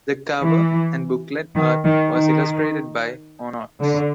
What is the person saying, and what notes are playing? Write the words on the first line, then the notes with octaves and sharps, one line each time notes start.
The cover and booklet art was illustrated by Monaux.
E3
D#3
D#3
D#3
D3